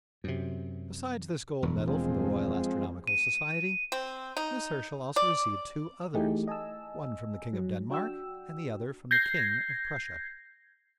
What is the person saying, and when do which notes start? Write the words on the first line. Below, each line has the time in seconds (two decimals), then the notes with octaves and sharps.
Besides this gold medal from the Royal Astronomical Society, Miss Herschel also received two others, one from the King of Denmark and the other from the King of Prussia.
0.24 F#2 C3
1.62 E1 E2
1.88 F3 G#3 C4
3.07 D#7
3.92 C4
4.37 D#4
5.16 D5
6.14 E3 A3 D#4 E4 G4 G#4
6.48 D#5 G#5 A5 E6
7.53 F#3
7.90 D4 F#4 G5 E6
9.11 G6 G#6 A#6 C7